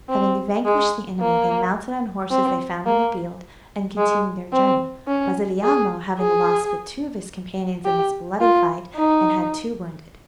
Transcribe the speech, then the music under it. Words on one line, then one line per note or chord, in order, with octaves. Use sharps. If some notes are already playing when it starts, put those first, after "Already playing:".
Having vanquished the enemy, they mounted on horses they found in the field, and continued their journey; Brasiliano having lost but two of his companions in this bloody fight, and had two wounded.
C4
G#3
A#3
C4
A#3
G#3
C4
C#4
G#4
G#4
G4
F4
D#4